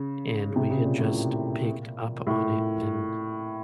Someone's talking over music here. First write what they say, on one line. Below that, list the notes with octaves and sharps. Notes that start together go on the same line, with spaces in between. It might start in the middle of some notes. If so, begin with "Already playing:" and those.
and we had just picked up on it in
Already playing: C#3
C3
C#3
A#2
A2
A#2
A2